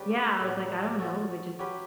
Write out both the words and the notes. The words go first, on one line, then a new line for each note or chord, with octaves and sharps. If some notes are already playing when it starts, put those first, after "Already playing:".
yeah, I was like, "I don't know, I just
Already playing: C#3 G3 D4 G4 B4
A2 G3 B3
A3 C#4 F#4 A4
F#3 C#4 G4 B4